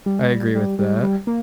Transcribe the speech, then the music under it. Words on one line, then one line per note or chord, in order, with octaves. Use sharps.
I agree with that.
G3
G#3
G3
G3
G3
G3
A#3